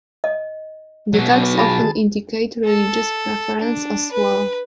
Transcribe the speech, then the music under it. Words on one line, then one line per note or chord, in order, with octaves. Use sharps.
The tags often indicate religious preference as well.
D#5
B2 F#3
B3
F4 G#4 A5 B5
A4
D4
B4